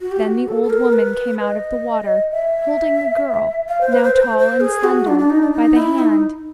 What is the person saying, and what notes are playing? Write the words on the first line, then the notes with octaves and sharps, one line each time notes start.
Then the old woman came out of the water, holding the girl, now tall and slender, by the hand.
F#4
G4
F#4
A4
A4
A#4
B4
D#5
E5
F5
C5
B4
C5
C5
C5
G#4
F#4
D4
D4
D#4
D4
D#4
E4
D#4